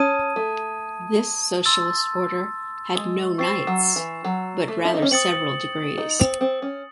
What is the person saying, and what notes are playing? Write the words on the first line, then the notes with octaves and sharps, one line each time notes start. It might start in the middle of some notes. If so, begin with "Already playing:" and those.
This socialist order had no knights but rather several degrees.
Already playing: C#4 A5 D#6 G#6 D#7
A3
C6 E6 A6
G#3
C4 C#6 E6 A6 C7 E7
F#3
E3
F#3
A3
E4
D#4
C#4
C4 D#6 A6 C#7 F#7
D#4
C4
C4
C#4